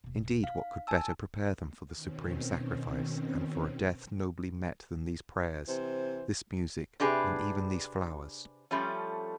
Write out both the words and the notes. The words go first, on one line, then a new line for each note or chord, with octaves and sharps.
Indeed what could better prepare them for the supreme sacrifice and for a death nobly met than these prayers, this music and even these flowers?
D#1 B2
D#4 F5
G#5 A5 E6
B2 D#3 C4 C#4
C3 E3 C5
C3 D4 G4 G#4 B4
F3 G3 A3 C#4